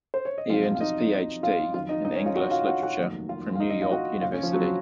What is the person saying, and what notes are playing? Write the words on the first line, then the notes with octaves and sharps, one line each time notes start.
He earned his Ph.D. in English literature from New York University.
C5
C#5
D#5
F2 C3 F#3 F4 F5
F5
D#4 D#5
F4 F5
F2 D#3 F#3 F4 F5
D#4 D#5
D#4 D#5
C#4 C#5
F4 F5
F#4 F#5
F4 F5
F#4 F#5
F#4 F#5
F1 D#2 D#3 F#3
F4 F5
F5
D#4 D#5
D#4 D#5
F4 F5
F#4 F#5
D#2 C#3 F3 F4 F5
C#4 C#5
F3 F4
F#3 F#4